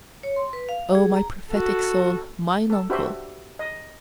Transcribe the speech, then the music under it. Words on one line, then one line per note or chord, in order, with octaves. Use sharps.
"Oh, my prophetic soul, mine uncle."
C#5
C6
B4
F5
G#4
A#5
F#4 A4
A4
D4 F#4 G4 B4 C5 E5
D#5